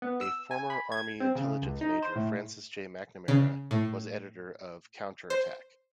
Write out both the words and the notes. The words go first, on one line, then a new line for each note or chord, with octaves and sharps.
A former Army intelligence major, Francis J. McNamara, was the editor of "Counterattack".
B3
E6
G#5
B5
G#6
C4
C#3
C#2
D#4
C5
A2
C#3
A2
C5